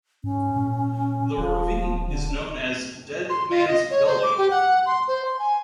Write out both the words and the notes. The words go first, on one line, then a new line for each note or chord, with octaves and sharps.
The ravine is known as 'Dead Man's Gully'.
G#2 C#4
A#2
D#1 F3
D3
C6
F4
D#5
C#5
C5
D6
G4
F#5
C6
C5
C6
G#5